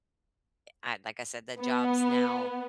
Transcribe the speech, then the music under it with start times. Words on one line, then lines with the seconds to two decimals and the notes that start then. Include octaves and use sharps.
I like I said, the jobs now
1.60 B3